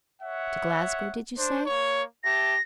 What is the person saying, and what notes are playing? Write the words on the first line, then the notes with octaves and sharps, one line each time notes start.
To Glasgow, did you say?
C#5 E5 F#5
D4 C5
A#3 C#5
G4 E5 A5 A#6